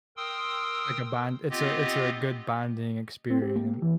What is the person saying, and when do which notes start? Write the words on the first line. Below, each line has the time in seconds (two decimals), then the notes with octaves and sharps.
Like a bond it's a it's a good bonding experien
0.17 A#4 G5 C6 D#6 E6
1.50 B3 C4 F4 G4 D#5
3.30 C4
3.42 G4
3.56 A#3
3.82 E3